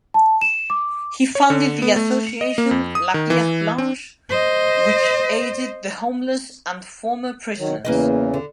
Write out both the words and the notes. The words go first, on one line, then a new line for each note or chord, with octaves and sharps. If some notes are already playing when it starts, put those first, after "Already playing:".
He founded the association La Pierre Blanche which aided the homeless and former prisoners.
A5
E7
D6
C#5
D3
B3
A3
C#7
D#5
A#3
F2
D#6
D#3
E3
C4
C5 D#5
D#3 F#3
E2 C#3 E3 A#3 B4 D#5
D3